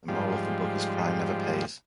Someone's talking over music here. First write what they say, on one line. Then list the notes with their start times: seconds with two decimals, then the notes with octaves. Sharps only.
The moral of the book is "Crime never pays".
0.08 G#2 F3 G3